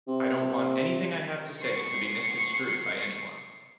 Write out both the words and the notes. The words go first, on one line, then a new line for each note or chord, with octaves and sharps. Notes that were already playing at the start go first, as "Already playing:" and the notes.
I don't want anything I have to say to be misconstrued by anyone.
C3
C#6 C7